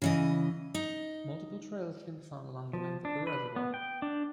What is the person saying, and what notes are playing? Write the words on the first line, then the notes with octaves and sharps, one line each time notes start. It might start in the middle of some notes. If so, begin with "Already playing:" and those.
Multiple trails can be found along the length of the reservoir.
C#3 E3 D#5
D#4
F3
D4
B4
B3
G5
D4